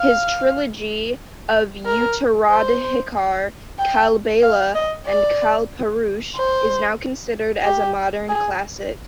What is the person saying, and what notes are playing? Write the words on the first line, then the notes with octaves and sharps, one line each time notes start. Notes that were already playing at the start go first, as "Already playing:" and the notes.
His trilogy of "Uttoradhikar", "Kalbela" and "Kalpurush" is now considered as a modern classic.
Already playing: F5
A#4
C5
G5
F5
D#5
D5
C5
G4
G#4